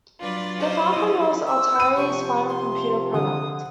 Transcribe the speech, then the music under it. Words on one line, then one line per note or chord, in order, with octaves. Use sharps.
The Falcon was Atari's final computer product.
F#3 D4 F4 B4 D5
C#4 C5 D5
E4 D#5
E6
G6 D#7
C3 F3 C#6
C6
D3 D#6